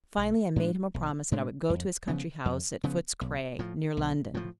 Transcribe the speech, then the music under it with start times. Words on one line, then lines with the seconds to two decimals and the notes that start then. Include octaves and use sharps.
Finally I made him a promise that I would go to his country house at Foot's Cray, near London.
0.18 B1
0.56 A2 G#3 D4
0.94 B1
1.31 A2 G#3 D4
1.70 F2
2.08 C#3 F3 B3
2.45 F2
2.84 C#3 F3 B3
3.21 B1
3.59 A2 F3
3.97 B1
4.35 A2 F3